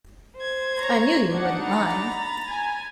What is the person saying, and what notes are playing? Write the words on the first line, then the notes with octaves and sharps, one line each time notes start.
I knew you wouldn't mind.
C5 G#6
C#5 A#5
D4 D#4 F#5
A#5 B5 A6
G#5